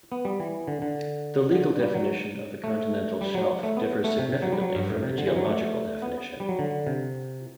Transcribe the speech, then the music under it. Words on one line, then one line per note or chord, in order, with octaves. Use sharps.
The legal definition of a continental shelf differs significantly from the geological definition.
B3
G3
E3
D3
D3
D3
G3
F#3
A3
G3
F#3
A3
B3
A3
C3
C3
F#3
G3
F#3
G2
A2
C3
D3
E3
F#3
A3
B3
G3
F#3
D3
C3